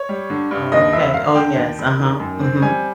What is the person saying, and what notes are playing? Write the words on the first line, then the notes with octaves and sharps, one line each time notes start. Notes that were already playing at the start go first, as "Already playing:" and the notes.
Oh okay oh, yes, uh-huh, mhm.
Already playing: C#5
G3
D3
G2
D#2 D#5
E1 E5
E1 F5
D3 G5
D#2
E1
D#3
F#2
C4
G3 G#5